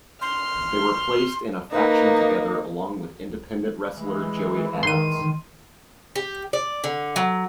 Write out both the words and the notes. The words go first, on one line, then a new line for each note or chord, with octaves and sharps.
They were placed in a faction together along with independent wrestler Joey Abs.
C6 F6
A#3 D#4 B4
E3 G#3
D#3 C6 D#7
G4
D5
D3
F#3